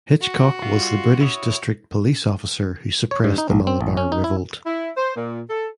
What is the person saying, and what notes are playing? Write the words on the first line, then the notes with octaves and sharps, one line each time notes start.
Hitchcock was the British District Police Officer who suppressed the Malabar Revolt.
F#4
G3 F4
E4 C#5 D#6
C#5
G2
D#4
A#1
C4
A1
C#4
D#4
E4
E4
C5
A#2
A4